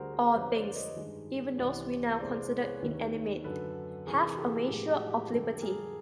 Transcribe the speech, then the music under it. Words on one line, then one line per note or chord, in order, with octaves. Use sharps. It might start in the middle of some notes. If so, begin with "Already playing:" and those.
All things, even those we now consider inanimate, have a measure of liberty.
Already playing: D2 D3 G3 F#4 G#4 A#4 C5
A#4 C5
F2 D3 G3 B4 C#5
C5 D5
C#5 D#5
G2 D#3 G#3
C2 C3 E3 G3 C5 D5
E2 C3 E3 G#3 C5 D5
B4 C#5
D#2 D#3 G3
F#2 D3 F#3 A4 B4
E2 C3 E3 G#4 A#4
G4 A4
A2 F3 G#3 G4
F#4
G4
F2 D3 G3 G4 A4
G#4 A#4